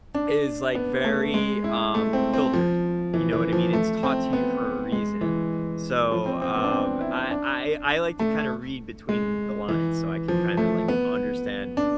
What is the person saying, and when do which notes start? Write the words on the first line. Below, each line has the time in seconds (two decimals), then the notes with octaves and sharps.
is, like, very, um, filtered, you know what I mean? It's taught to you for a reason, so, um, I I I like to kinda read between the lines so I can kinda, like, understand
0.14 D4
0.75 B3
1.04 A3
1.34 G#3
1.64 E4
1.94 A3
2.13 C4
2.33 C4
2.54 F3
3.14 E3
3.33 E3
3.53 F3
3.73 A3
4.03 C4
4.33 B3
4.92 G#3
5.21 E3
6.11 F3
6.26 C4
6.41 C4
6.55 B3
6.64 D4
6.71 C4
7.01 E4
7.31 D4
8.19 A3
9.09 G#3
9.69 E3
10.28 F3
10.57 A3
10.88 B3
11.77 D4